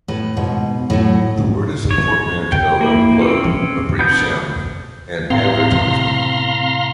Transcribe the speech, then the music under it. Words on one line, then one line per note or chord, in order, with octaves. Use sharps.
The word is a portmanteau of "blip", a brief sound, and "advertisement".
A2 B4
G#2 B2
A2 F#3
C#5
G5
A#3 E4
C4 C#4
B3 D4 G6
A2 C4 F5 A#5 C6
C3